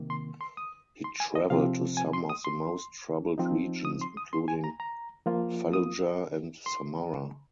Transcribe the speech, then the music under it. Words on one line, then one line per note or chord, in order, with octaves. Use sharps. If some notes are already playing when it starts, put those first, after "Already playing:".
He traveled to some of the most troubled regions, including Fallujah and Samarra.
Already playing: C3 D#3 A#3
C6
C6
D#6
C6
G#5
D#5
C3 F3 C4 F5
G#5
C6
D#6
C6
F3 C4 D#4
D#6
C6
D#6
C6
G#5
A#5
A#5
F3 A#3 F4
D#6
C6